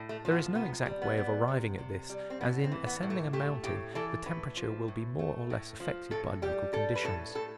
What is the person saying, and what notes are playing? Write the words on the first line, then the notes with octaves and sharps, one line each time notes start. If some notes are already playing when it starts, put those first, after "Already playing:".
There is no exact way of arriving at this, as in ascending a mountain the temperature will be more or less affected by local conditions.
Already playing: A2
A3
F3
B3
C3 B3
G3
B3
G3
C3
C3
G3
C4
A2 B3
C4
E3
B3
A2
A3
A3 G4
A2 G4
E3 A4
A2 B4
F3
A2
A3
A2
F3
A2 A4
G3 G4
G3 A4
B4
A2 A4
A2 A4